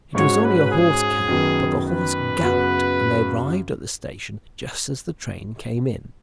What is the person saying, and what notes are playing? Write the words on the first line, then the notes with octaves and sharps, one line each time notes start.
It was only a horse-cab, but the horse galloped, and they arrived at the station just as the train came in.
G#2 G#3 C#4 F#4 C#5
B4
G#4
F#2 D#3 F#3 B3
B4
F#2 C#3 B3 F#4